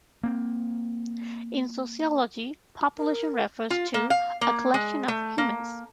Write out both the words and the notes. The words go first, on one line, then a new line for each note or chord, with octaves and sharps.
In sociology, population refers to a collection of humans.
A#3 C4
A#4
F4
A#3
F5
A#3
G#3
A3
A#3